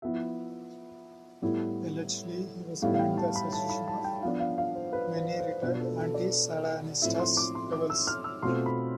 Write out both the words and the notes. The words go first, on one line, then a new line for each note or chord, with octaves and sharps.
Allegedly, he was behind the assassination of many retired anti-sandinistas rebels.
F3 B3 E4 E5
A2 G3 B3 E4
A2 G3 B3 E4 F5
F5
G5
A5
B5
A5
B5
A5
G5
F3 B3 D4 F5
F5
F5
C5
B4
C5
C5
B2 B3 D4 F4 B4
A4
A4
D5
A2 F3 C4 E4 E5
C6
D6
C6
D6
E6
F6
E6
B2 A3 C4 F4 C6
B5